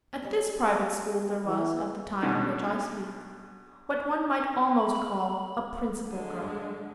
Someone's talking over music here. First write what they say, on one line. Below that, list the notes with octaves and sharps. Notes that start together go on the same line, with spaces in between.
At this private school, there was, at the time of which I speak, what one might almost call a "principal girl."
G3 G#3 C#4
E3
B2 D#3 C#4 D4 F#4
B5
D3 G#3